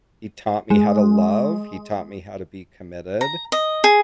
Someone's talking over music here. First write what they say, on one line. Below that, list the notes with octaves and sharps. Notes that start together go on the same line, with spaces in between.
he taught me how to love, he taught me how to be committed,
G#3
A#5
D#5
G#4